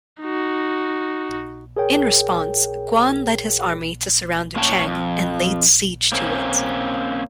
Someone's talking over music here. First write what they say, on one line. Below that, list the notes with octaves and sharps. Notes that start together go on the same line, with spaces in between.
In response, Guan led his army to surround Duchang and laid siege to it.
D#4 F#4
G#4 A#4 C#5 G5
A2 A#3 C#4 C#5 G5 A5
F2
A#3 C4 C#4